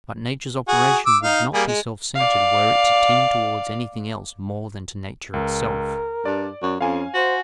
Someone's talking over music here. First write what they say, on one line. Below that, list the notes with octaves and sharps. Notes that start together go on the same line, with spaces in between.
But nature's operation would not be self-centered were it to tend towards anything else more than to nature itself.
F#4 G#4
D6 E6
D#4 F5
G3 A#3 G#4
G#3
D5 F5
C#2 A#4
G2 D5
F#2
F2 C#4 F5 G#5
F#4 C5